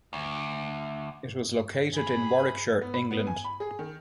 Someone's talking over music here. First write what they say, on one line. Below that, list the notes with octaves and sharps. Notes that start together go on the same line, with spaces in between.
It was located in Warwickshire, England.
D2
G#4 B5
B3
B5
B3
G#5
B5
G#4
D#3